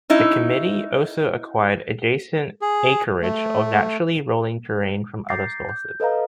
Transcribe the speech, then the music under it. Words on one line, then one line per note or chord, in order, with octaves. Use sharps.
The committee also acquired adjacent acreage of naturally rolling terrain from other sources.
C#4 D#4 E4
G#4
A3
A#5 D6 G6 A6 A#6 C7
G6
A4 B4 D#5 F5 A#5